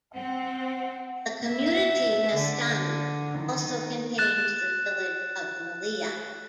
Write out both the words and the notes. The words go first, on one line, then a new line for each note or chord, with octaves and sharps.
The community Nestani also contains the village of Milea.
C4 F#5
E5
D3
D#3
F#6 A6 E7